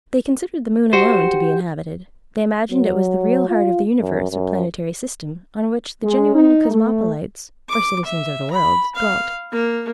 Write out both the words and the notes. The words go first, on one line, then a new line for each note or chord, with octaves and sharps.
They considered the moon alone to be inhabited: they imagined it was the real heart of the universe or planetary system, on which the genuine Cosmopolites, or citizens of the world, dwelt.
F#4 G4 C5
F#3
F4
F#2
F#2
G#3
D#4
A3
D6
E5
B5
F5
A#3